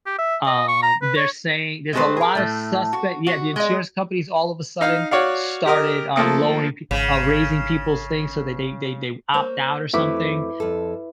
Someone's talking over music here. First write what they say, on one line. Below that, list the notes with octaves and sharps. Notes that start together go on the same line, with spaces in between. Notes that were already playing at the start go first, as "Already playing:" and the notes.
um, they're saying there's a lot of suspect Yeah, the insurance companies all of a sudden started, uh, lowering pe uh, raising people's things so that they they they opt out or something,
G4
E5
D#5
C#6
A#5
B4
C#5
G#3 A3 C4 G#4 B4 C5
G#4 A#4
A2 A3
F#4
F#4
G#3 D#5
D#4 F5
F#4 C#5 D5 F5
G4 A#4 D#5
F3 A3 A#3 D#6
G#1 C#3
A#3 C5 C#5
F2 A3 C4 E4 B4 D6
F2 A4